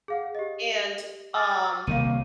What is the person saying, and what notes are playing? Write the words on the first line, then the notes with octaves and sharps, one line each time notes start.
and, um,
G#4 F5 F#5
G4 D#5
D6 F6 A6
C2 D#3 A#3 F5 D#7